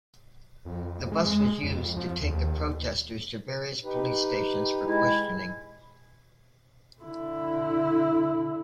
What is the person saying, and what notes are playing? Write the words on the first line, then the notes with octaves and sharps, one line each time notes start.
The bus was used to take the protestors to various police stations for questioning.
F2
G#3
F2
F3
D#2
D#4 G4 B4
G#3 E4
D3 E4